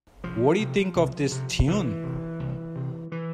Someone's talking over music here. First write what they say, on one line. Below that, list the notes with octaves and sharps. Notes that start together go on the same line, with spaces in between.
What do you think of this Tune?
C2 F3
C3
C2
C3
C2 E3
C3
C2
C3
E3